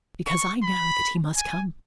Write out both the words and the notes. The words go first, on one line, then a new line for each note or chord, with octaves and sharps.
"Because I know that he must come."
C#6
B5
G#5